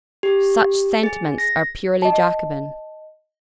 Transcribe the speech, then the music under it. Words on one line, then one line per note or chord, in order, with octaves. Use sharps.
Such sentiments are purely Jacobin.
G4
G#4
A#6
D#5 A5